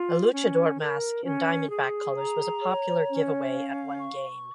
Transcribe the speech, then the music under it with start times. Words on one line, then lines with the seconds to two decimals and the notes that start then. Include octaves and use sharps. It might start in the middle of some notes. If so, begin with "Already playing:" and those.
A luchador mask in Diamondback colors was a popular giveaway at one game.
Already playing: F4
0.32 C#4
0.78 A#4
1.24 C#4
1.70 G#4
2.16 A#5
2.62 C#5
3.07 C#4
3.54 F5
4.00 C#6